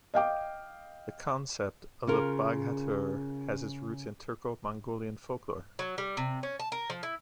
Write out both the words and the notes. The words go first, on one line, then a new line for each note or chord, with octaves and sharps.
The concept of the Baghatur has its roots in Turco-Mongolian folklore.
D#5 F5 G5 D6
C#3 F4 A#4
F#3
G3
C3
C#4
A5
A#4
F3
E4